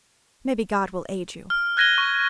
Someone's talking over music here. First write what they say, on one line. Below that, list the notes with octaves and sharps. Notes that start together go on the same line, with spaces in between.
Maybe God will aid you.
F6
F#6 G#6 A#6 D#7 G7
C#6